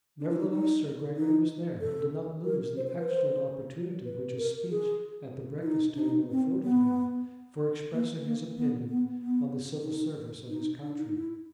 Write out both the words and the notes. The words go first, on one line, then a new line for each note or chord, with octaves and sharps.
Nevertheless Sir Gregory was there, and did not lose the excellent opportunity which a speech at the breakfast-table afforded him for expressing his opinion on the Civil Service of his country.
D4
E4
D#4
D#4
D#4
A4
A#4
C5
C5
B4
C5
B4
A#4
G#4
E4
D#4
D4
D#4
C4
B3
A#3
A#3
B3
B3
B3
D#4
D#4
D4
D#4
E4